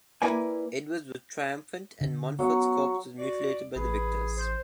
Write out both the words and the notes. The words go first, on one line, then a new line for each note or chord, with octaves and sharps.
Edward was triumphant and Montfort's corpse was mutilated by the victors.
A#3 E4 B4 D5 G#5
D3
F#3 B3 F#5
F#4 D5
A1 G#4 B4
C5